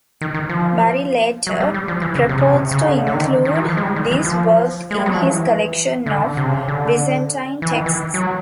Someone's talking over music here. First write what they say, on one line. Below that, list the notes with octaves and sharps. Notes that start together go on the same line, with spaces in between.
Bury later proposed to include this work in his collection of Byzantine Texts.
D#3
D#3
F3
F#3
G3
G3
F3
E3
C#3
C3
C#3
C3
C#3
D3
C#3
D3
D#3
D#3
E3
F3
G#3
G3
D#3
E3
F3
G#3
G3
F#3
F3
E3
D3
C3
C#3
D3
E3
D#3
E3
F#3